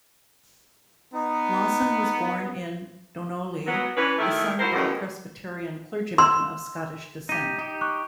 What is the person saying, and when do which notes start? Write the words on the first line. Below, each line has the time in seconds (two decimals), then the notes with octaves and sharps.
Lawson was born in Dunolly, the son of a Presbyterian clergyman of Scottish descent.
1.14 B3 D#4
3.67 F#3 B3
3.97 E3 C#4 D4 B4
4.18 D#3 A3 E4
4.59 E4 F#4 A#4 C5
4.74 F#2 A2 D3 D#3 G#3 B3
6.18 C6 E6
7.29 D#4 G4 D#7
7.58 D#4 G4
7.81 C#6 D6 F#6